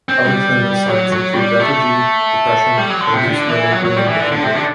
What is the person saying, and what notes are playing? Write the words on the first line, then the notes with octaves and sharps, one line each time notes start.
Other clinical signs include lethargy, depression, and reduced normal grooming behaviour.
C4
G3
F#3
F#3
G3
A3
G3
F#3
D3
C3
D3
E3
F#3
F#3
G3
E3
D3
D3
C3
D3